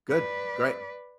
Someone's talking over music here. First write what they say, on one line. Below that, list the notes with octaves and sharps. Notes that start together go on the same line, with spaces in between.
Good. Great.
B4 D5